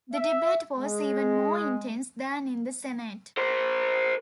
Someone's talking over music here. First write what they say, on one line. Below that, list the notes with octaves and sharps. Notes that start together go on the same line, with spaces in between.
The debate was even more intense than in the Senate.
E5
G#3
A#4 C5